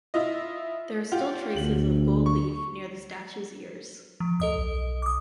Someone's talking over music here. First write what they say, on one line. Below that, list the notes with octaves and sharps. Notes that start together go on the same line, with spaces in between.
There are still traces of gold leaf near the statue's ears.
E4 F4 D#5
F4 G4 F#5
D2 F#7
C#6
F3
D2 A4 D#5 D#6
B1
D6 D#6